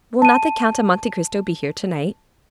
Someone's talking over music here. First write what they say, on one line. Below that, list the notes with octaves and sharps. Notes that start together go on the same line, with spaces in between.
"Will not the Count of Monte Cristo be here to-night?"
A5 D#7